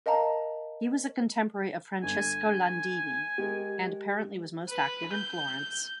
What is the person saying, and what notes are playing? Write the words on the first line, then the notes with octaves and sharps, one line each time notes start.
He was a contemporary of Francesco Landini, and apparently was most active in Florence.
A#4 D#5 F5 A5 A#5
G1 G#5
G#3 G4 A#4
B4
G6